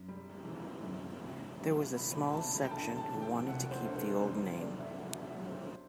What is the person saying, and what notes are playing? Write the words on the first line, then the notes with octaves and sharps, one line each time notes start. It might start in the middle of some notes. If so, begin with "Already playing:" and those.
There was a small section who wanted to keep the old name.
Already playing: F#2
G3
E3
F#2
C2
F#3
B2 B5
B5
C2 A5
B5
G5
D2 A5
A5
E3
G5
C3 F#5
C5
D2
C5
B4
F#2 C5
F#2 D5
E5
F#3 F#5
E5
F#3
C5